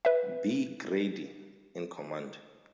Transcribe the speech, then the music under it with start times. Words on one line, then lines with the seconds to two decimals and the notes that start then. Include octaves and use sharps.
B. Grady in command.
0.05 B4 E5